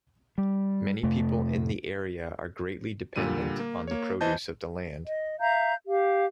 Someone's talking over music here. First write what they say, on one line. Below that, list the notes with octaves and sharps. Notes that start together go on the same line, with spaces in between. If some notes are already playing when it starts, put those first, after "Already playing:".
Many people in the area are greatly dependent on the produce of the land.
G3
F2 C3 A3
A#2 D3 G3 D#7
A#3
A#3 C#5
E3 C5 D#5 A5 G6
D#5
E5 F5 A#5 G6
G4 F5